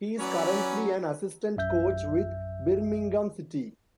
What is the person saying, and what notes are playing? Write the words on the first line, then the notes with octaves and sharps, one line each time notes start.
He is currently an assistant coach with Birmingham City.
E3 F#3 C#4 B4 D5
A#1 F#2 E5 G6